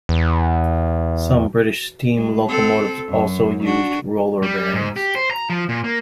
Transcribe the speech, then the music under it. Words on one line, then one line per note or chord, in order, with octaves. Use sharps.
Some British steam locomotives also used roller bearings.
E2
G#3
C4 A4
F#2
D4 F#4
G3
G#2
G4
C5
A#5
F3
A#2
A#3